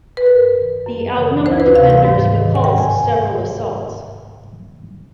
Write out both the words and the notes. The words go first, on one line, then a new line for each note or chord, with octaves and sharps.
The outnumbered defenders repulsed several assaults.
B4
G2 A#4
D#3
F#2
C#3 E3
D2 C5
B4
C3 E3 F5
F5
G#2
D#3
F#5
G2 G5
G#5